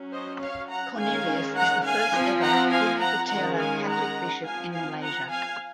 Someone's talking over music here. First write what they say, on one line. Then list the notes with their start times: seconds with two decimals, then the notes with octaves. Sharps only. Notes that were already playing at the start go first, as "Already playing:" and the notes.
Cornelius is the first ever bumiputera Catholic bishop in Malaysia.
Already playing: F#3 C#4
0.11 C5 D#5
0.41 C#5 F5
0.69 F#5 A#5
0.98 D#3 G#3 C#4 F5 G#5
1.56 F#5 A#5
1.85 F5 G#5
2.13 F3 C4
2.42 F#5 A#5
2.71 F5 G#5
3.00 F#5 A#5
3.28 D#3 G#3 C#4 F#5 A#5
3.57 F5 G#5
3.86 F#5 A#5
4.43 F3 C4 F5 G#5
4.72 F5 G#5
5.01 F#5 A#5
5.30 F5 G#5